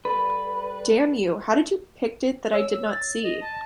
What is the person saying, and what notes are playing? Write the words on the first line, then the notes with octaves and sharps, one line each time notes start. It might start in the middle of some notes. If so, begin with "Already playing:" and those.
Damn you, how did you picked it that I did not see?
G3 A4 B4
C#5 E6
A6
D#5
A5